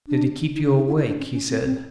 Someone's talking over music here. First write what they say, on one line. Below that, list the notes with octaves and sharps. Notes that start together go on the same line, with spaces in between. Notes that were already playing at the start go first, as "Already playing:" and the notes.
"Did it keep you awake?" he said.
D4
D#4
D4
D#4
E4
E4
D4
C#4
C#4
C4
C4